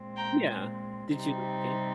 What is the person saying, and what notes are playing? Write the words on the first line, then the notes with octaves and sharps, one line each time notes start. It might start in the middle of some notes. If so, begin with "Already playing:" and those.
Yeah. Did you like the game?
Already playing: A#2 G#3 C4
G5 A#5
C3 G3 C4 D#4